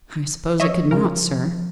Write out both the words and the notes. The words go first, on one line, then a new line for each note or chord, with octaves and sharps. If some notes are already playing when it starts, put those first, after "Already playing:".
"I suppose it could not, sir."
F3 C#5 D#5 E5
C#3 A#4